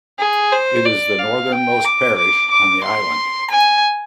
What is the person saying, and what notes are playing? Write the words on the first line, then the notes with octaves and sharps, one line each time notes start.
It is the northernmost parish on the island.
G#4
C5
D5
F5
G5
D6
D6
D6
C6
G#5